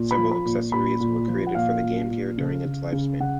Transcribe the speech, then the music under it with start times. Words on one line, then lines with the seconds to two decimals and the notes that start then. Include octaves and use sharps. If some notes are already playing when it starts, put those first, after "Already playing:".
Several accessories were created for the Game Gear during its lifespan.
Already playing: A#2
0.11 B5
0.17 F3
0.31 B5
0.45 A#2
0.72 A#2 B5
1.00 A#2
1.28 F3
1.47 F#5
1.55 A#2 F5
1.82 A#2
2.10 A#2
2.38 C#3
2.65 C#3
2.92 C#3
3.20 C#3 F#5